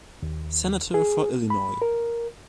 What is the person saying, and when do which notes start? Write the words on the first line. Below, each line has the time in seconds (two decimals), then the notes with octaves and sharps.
Senator for Illinois.
0.22 D#2
0.94 G#4
1.50 B5
1.82 A#4